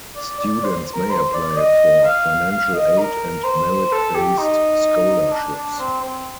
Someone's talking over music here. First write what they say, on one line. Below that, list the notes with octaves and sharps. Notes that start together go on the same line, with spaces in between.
Students may apply for financial aid and merit-based scholarships.
D5
D5
C5
A#4
C5
D5
D#5
F5
F5
D#5
A#4
C5
A4
G4
D#4
D4
D4
C4
C4